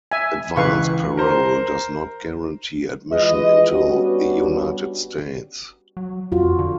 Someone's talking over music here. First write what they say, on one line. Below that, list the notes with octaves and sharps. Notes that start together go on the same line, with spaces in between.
Advance parole does not guarantee admission into the United States.
E5 G#5
C#2 E3 B4 F5 C#6
A#4 C5 A#5
E3 G#3 F4 B4 D#5
G3 B3 C#4 D4 F#4
F#3
F2 F4 F#4
D3